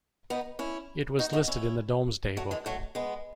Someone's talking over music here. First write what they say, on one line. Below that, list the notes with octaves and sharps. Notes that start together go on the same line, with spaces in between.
It was listed in the Domesday book.
B3 D#4
C#4 E4
D#4 F#4
D#4 F#4
C#4 E4
F#3 A3
E3 G#3
F#3 A3
G#3 B3